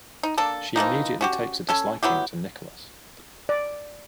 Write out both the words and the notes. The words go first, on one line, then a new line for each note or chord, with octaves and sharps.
She immediately takes a disliking to Nicholas.
D#4
A#3 D4 A4
E3 F3 A#3 D#4
C#4 F#4 G4
C#4 A4 G#5
F#3 B3 E4 G4
D5